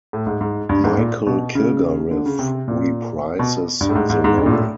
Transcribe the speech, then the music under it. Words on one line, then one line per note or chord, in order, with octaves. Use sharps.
Michael Kilgarriff reprises the role.
A2
G#2
G#2
G2
G#2
A#2
B2
C#3
D3
C#3
C3
A#2
B2
G2
A2
G#2
G#2
G#2
G2
A#2
A2